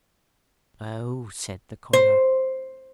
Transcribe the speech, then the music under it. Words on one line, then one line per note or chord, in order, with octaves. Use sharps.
"Oh!" said the collar.
C5